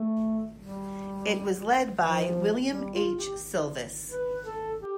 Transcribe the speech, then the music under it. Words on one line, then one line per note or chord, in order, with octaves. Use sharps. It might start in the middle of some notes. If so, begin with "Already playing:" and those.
It was led by William H. Sylvis.
Already playing: A3
G3
F3
G3
F4
G4
B4
A4
G4